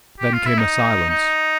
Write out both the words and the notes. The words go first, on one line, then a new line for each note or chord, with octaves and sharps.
Then came a silence.
G4
F4
E4
D#4
D#4